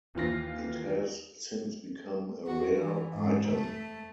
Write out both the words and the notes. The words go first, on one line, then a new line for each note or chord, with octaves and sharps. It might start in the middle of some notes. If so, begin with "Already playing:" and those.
It has since become a rare item.
D#2 E3 F4 A#6
F#4
E3
G#2
A3